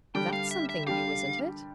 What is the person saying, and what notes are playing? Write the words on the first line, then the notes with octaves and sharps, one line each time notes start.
'That's something new, isn't it?'
D3 G3 D4 G4 G5
F5
E5
E5
D3 G3 D4 G4 F5